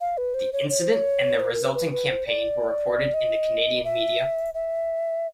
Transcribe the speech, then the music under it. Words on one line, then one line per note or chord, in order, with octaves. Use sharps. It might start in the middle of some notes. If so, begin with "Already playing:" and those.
The incident and the resulting campaign were reported in the Canadian media.
F5
B4
C5
C#5
C#5
C5
C#5
C5
A#4
B4
B4
B4
C5
D5
D#5
E5
E5